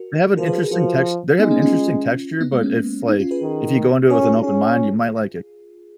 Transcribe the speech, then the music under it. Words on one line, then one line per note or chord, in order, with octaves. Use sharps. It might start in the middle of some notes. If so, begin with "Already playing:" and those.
they have an interesting text they have an interesting texture, but it's like, if you go into it with an open mind, you might like it.
Already playing: F#4 A#4
F3 F#4 A#4
G#4 B4
F#4 A#4
G#4 B4
F3 F#4 A#4
G#3 B3 D#4
A#3 C#4
C#4 F4
B3 D#4
G#3 B3
A#3 C#4
B3 D#4
C#4 F4
G#4 B4
D#3
C#4 F#4 A#4
F4 G#4
D#4 F#4
C#4 F4 G#4